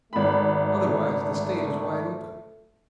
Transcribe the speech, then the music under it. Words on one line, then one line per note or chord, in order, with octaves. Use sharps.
Otherwise, the state is wide open!
G#1 A3 B5